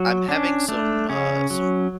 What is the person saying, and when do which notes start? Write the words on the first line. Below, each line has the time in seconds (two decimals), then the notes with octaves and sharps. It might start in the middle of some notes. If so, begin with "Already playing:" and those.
I'm having some, uh some
Already playing: F#3 F#4
0.29 C#4 D4
0.68 A3 D4
1.09 C#3 C#4
1.50 F#3